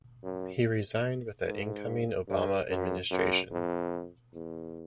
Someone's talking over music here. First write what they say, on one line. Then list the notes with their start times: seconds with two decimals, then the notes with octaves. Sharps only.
He resigned with the incoming Obama administration.
0.23 F#2
1.46 G#2
2.28 G2
2.69 F#2
3.10 F#2
3.51 F2
4.33 E2